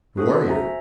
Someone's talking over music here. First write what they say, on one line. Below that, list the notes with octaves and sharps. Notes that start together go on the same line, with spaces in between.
"Who are you?"
C#4 F#4 G#4 A4 C5
C5 E5 G#5 A#5